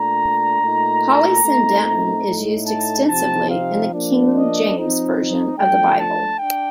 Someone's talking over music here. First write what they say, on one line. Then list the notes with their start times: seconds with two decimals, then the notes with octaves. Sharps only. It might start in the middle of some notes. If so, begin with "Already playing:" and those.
Polysyndeton is used extensively in the King James Version of the Bible.
Already playing: A#2 A3 D4 A#5
0.60 A#2 A3 D#4
1.43 A#2 A3 C4 D#4
2.26 A2 A3 D#4
2.67 A5
3.08 C3 F3 C4 D#4 A5
3.50 F5
3.92 F3 A#3 D4
4.32 D#5
4.74 F3 C4 D#4
5.57 F3 A3 D4 G5
5.98 A5
6.39 D4 G5